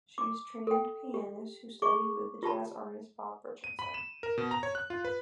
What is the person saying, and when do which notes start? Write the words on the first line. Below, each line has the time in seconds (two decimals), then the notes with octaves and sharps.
She is a trained pianist who studied with the jazz artist, Bob Richardson.
0.18 D6
0.67 A4 G5
1.14 G4
1.82 G#4 C#6 D6
2.43 F4 G4 A5 B5
3.64 D#7
3.79 B5
3.94 E7
4.23 A#4
4.38 B2
4.51 A#5
4.63 C#5
4.75 F#6
4.90 F4
5.05 B4